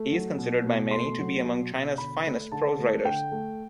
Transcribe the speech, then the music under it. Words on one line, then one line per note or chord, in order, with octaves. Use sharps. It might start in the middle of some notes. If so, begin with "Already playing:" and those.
He is considered by many to be among China's finest prose writers.
Already playing: A3
F#3
B2
B2
A3 C6
F#3
B2
B2
D3 B5
A3
D3 A5
A3
D3 G5
A3